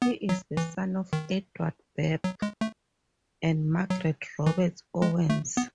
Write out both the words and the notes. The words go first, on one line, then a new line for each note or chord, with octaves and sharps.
He is the son of Edward Bebb and Margaret Roberts Owens.
B3
F#3
E3
D#3
F#3
G#3
A3
F#3
E3
G#3
A3
B3